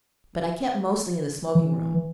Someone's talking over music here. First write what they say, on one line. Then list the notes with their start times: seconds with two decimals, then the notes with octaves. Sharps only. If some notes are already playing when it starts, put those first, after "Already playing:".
But I kept mostly in the smoking-room.
1.55 E3